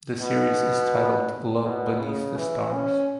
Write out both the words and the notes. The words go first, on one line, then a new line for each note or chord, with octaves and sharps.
The series is titled "Love Beneath The Stars".
B2
B2
C#3
E3
C#4